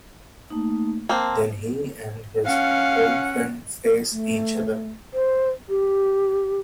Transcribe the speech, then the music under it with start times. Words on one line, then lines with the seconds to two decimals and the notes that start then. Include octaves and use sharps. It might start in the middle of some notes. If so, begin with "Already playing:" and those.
Then he and his old friend face each other.
0.50 A3 A#3 D#4
1.09 A#3 C4 A5
2.46 C#4 F5 F#5
4.11 A3
5.14 C5
5.69 G4